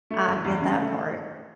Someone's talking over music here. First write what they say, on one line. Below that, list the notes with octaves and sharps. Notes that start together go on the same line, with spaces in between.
I get that part.
A3
F#1
E2
C#3
A3